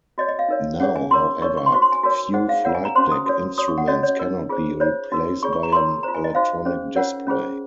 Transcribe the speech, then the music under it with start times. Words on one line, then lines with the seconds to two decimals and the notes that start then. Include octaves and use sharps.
Now, however, few flight deck instruments cannot be replaced by an electronic display.
0.18 F#4 C#5 D#5
0.29 D#5
0.39 F5
0.48 D#4 A#4 C#5
0.80 C#4 G#4 C#5 F#5
0.96 G#5
1.11 F4 A#4 C#5 C6
1.42 D#4 A#4 C#5 C#6
1.57 C#6
1.66 C6
1.72 F#4 C5 C#6
1.82 C6
1.92 G#5
2.03 F#4 A#4 C#5
2.34 D#4 G#4 C5 F#5
2.49 F5
2.65 F4 A#4 C#5 F#5
2.75 G#5
2.85 A#5
2.95 C#4 F#4 C5 C6
3.12 D#6
3.26 F#4 A#4 C#5
3.58 F#4 C#5 D#6
3.68 C#6
3.78 F#5
3.87 C#4 F#4 C#5 D#5
4.03 C#5
4.19 D#4 A#4 C#5
4.49 F4 G#4 C5
4.80 F4 C5 C#5
5.12 D#4 F#4 A#4
5.43 F4 G#4 C#5 C#6
5.53 C#6
5.63 A#5
5.72 F4 A#4 C#5 C6
6.03 F4 C5 A#5
6.15 G#5
6.24 D#5
6.34 D#4 F#4 C5 F5
6.65 C#4 G#4 C5
6.96 C#4 F4 A#4 C#5 F#5
7.27 C#4 F4 G#4 C5